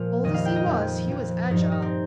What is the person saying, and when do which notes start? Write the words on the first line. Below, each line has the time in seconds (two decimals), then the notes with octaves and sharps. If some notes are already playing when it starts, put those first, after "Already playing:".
Old as he was, he was agile.
Already playing: A#2 F3 F5
0.24 F2 D#3 G3 D#5
0.34 F5
0.45 G5
0.56 D#5
0.66 F2 F3
1.09 F2 F3
1.51 G2 F3 D#4
1.62 D#4
1.72 D#4
1.82 C4